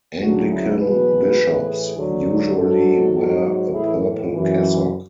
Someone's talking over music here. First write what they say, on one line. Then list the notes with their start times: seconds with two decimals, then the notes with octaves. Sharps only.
Anglican bishops usually wear a purple cassock.
0.21 D2 C#3 F#3 D4 F#4
0.50 E4 G#4
0.79 E2 B2 F#3 G#4 B4
1.39 A2 E3
1.97 D2 D3 F#3
2.56 G#2 F#3 F#4 A4
3.15 G#2 F#3
3.73 A2 E3 E4 G#4
4.33 F#2 E3